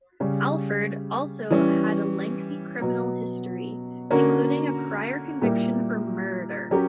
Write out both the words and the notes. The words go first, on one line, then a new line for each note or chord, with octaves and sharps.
Alford also had a lengthy criminal history, including a prior conviction for murder.
C#3 G3 C#4
E3 G3 C#4
B2 F#3 B3
D3 A#3 C#4 F#4 A#4
A#2 G3 A#3 E4 G4
F#3 C#4 G4 A#4